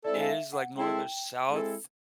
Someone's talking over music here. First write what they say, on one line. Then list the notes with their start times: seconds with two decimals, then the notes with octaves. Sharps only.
is, like north or south.
0.04 G#3 C4 E4 A4 D5
0.20 F5
0.29 E5
0.53 F#5
0.77 G#3 C4 E4 A4 G5
1.50 G#3 C4 E4 A4